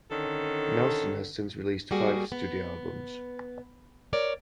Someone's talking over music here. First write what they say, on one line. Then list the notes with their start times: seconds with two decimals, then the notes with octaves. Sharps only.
Nelson has since released five studio albums.
0.11 D3 D#3 C#4 A4
1.91 G3 A#3 F#4 G#4
2.32 B3
4.13 A#4 C#5 D5